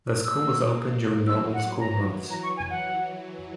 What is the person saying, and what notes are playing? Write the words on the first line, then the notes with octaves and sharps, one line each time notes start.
The school is open during normal school months.
A#3 E6
F#3 E6
F#5
E3 A#5
A#5
C#6
G#5
F#5